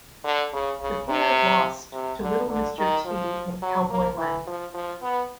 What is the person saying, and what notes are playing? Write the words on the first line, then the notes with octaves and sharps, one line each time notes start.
The pair lost to Little Mr. T and Cowboy Lang.
D3
C#3
C#3
C3
C3
D3
D3
D#3
F3
F#3
A#3
E3
F3
F3
B3